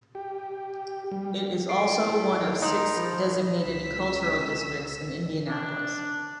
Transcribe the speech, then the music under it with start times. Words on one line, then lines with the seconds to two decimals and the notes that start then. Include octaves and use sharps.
It is also one of six designated cultural districts in Indianapolis.
0.15 G4
1.11 G3
1.69 A3 E4 C7 D7
2.40 D#2 A#4
2.62 D#4 A#5 C6 F7
2.96 F3 B5
3.61 C#2 E6 B6
5.49 D4